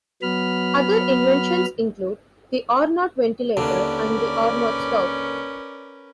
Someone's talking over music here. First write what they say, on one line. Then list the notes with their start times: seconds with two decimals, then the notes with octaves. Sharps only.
Other inventions include the Arnott ventilator and the Arnott stove.
0.22 F#3 B3 B5 F6
3.57 D#2 D3 C#4 A#4 B4 D5